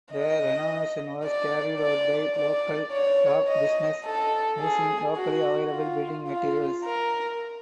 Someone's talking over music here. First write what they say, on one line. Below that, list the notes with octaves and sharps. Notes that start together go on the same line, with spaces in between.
The renovation was carried out by local craft businesses using locally available building materials.
D#5
D5
D5
D5
C#5
D#5
A4
G#4
F#4
F4
F4
A#4